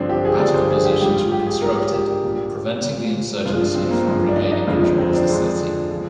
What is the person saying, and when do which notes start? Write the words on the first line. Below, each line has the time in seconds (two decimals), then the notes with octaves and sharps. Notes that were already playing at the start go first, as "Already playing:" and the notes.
Battle positions were constructed, preventing the insurgency from regaining control of the city.
Already playing: G2 D3 F3 C4 D4
0.09 G4
0.25 G#4
0.39 G2 D3 F3 D5
0.54 C5
0.71 G#4
0.85 G4
1.01 G#2 G3 G4
1.15 F4
1.32 G4
1.47 G#4
1.62 G#2 G3 A#4
1.77 G4
1.92 G4
2.07 D4
2.23 A#2 G3
2.84 A#2 G3
3.45 G2 F3 G#3 F4
3.61 D4
3.75 C4
3.90 A#3
4.07 G2 F3 G#3
4.29 D4
4.36 D#4
4.52 D#4
4.67 F2 D3 F3 G#3 F4
4.83 D#4
4.98 C4
5.14 D4
5.29 F2 D3 F3 G#3
5.90 F3 G#3